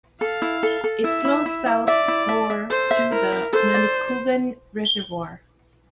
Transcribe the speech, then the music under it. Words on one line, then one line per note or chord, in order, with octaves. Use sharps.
It flows south for to the Manicouagan Reservoir.
A4 F5
E4
A4
A4
E4 E5
E4
E4
E4
D5 E5
E4
E5
E5
A4 C5
E5
E4 A#4
E5
A4 C5
D5